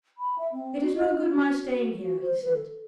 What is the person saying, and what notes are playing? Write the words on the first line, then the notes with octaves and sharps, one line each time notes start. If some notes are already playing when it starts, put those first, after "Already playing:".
"It is no good my staying here," he said.
B5
E5
C4
F#4
D#5
D#4
F#4
F#4
C5
B4
A4